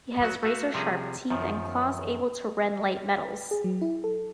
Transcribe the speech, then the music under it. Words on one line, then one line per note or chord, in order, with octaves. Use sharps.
He has razor sharp teeth and claws able to rend light metals.
F#3 B3 F#4
A3 A#3 F#4 E5 F5
C3 F3 G3 G#4
F#2 D#3 F3
B4
G#4
F#3
E4
A4